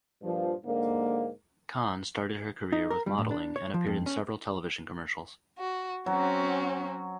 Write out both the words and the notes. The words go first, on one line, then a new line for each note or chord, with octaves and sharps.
Khan started her career with modeling and appeared in several television commercials.
G2 A#2 F3
G#2 D3 A#3
D#4
A#4
G3
A2
D4
C#5
F3
F2
C#4
F#4
F#3 C4 C#4 F#4